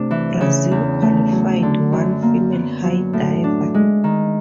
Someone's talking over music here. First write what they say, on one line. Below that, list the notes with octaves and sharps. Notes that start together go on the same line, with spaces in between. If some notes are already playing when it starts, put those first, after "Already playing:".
Brazil qualified one female high diver.
Already playing: C3 A3 D4
E3
C#3
E2
A3
F#3
D3
F#2
A#3
B3
F#3
A2
D4
G#3
D#3